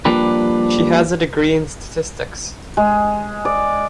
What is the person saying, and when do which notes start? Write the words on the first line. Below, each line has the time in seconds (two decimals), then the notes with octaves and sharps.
She has a degree in Statistics.
0.05 F3 G3 A#3 D4 G4 B4
2.77 G#3
3.45 D5